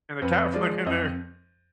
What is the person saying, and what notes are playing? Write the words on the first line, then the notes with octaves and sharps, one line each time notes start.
and the cat went in there
F2 B4
F3 G#3 D5
F2 D#5